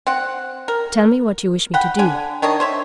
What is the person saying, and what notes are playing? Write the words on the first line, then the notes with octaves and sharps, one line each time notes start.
Tell me what you wish me to do.
C4 F#5
A#4
F#5 G5 B5
D3 G#5
D#3 D4 C#5 D#5
C5 C#5 E5